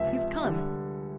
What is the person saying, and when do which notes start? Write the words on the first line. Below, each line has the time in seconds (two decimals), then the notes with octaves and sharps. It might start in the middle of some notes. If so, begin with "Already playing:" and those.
You've come.
Already playing: C#2 C3 F3 E5
0.44 D3 G3